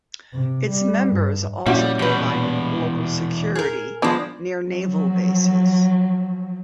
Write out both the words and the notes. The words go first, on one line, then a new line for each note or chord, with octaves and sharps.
Its members also provided local security near naval bases.
C3
G3
G2
F2 A#2 G3 C#4 E4 F#4
E2 B2 G3 B4
G#4 A#4
F3 G#3 B3 D4 D5
F3 F#3